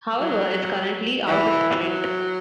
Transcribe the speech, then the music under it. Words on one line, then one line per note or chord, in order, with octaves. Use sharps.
However, it's currently out of print.
F#3
E3
F#3